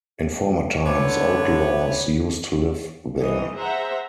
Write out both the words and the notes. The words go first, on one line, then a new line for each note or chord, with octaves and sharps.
In former times, outlaws used to live there.
D3 B3 C#5 D6
E3 D#5
G#4 C5 E5 F#5 A#5